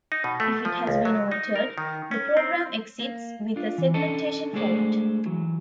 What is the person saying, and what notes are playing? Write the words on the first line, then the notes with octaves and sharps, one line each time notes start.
If it has been altered, the program exits with a segmentation fault.
D#4
B2
A3
F3
C#2
F#3
D#4
A#4
D#3
C#4
C4
A#3
D4 F4
E3
C#4 D4 A4 D#5 A5
G#3 A3 D4 G#4 C5 D5
E3 F#3